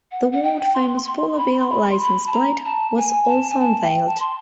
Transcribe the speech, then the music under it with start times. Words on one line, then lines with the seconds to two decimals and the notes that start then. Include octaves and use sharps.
The world-famous Polar Bear licence plate was also unveiled.
0.11 F#5
0.32 F#5
0.43 G5
0.74 C6
1.06 C6
1.33 C6
1.38 B5
1.59 C6
1.69 B5
1.91 C6
2.02 B5
2.27 A5
2.32 A#5
2.65 A5
2.97 G#5
3.28 A5
3.50 G#5
3.60 A5
3.83 G5
4.07 A5
4.20 C6